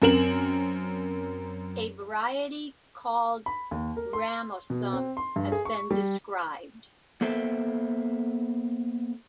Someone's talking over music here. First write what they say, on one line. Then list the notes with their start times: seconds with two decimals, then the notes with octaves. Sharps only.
A variety called "Ramosum" has been described.
0.02 F#2 C4 A#4 E7 F#7
3.46 B5
3.71 D#2
3.97 A#4
4.13 C6
4.70 B2
4.93 C4
5.17 C6
5.36 G2
5.52 G#4
5.65 C#6
5.91 G3
7.21 A#3 B3 A4 C5 E5 G5